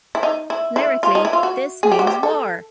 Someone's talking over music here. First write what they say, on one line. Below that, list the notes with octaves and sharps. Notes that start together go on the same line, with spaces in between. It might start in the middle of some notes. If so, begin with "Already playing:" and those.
Lyrically, This Means War!
E4
D#4
E4
E4
F4
D#4
E4
F4
F#4
G#4
G4
F#4
G4
A4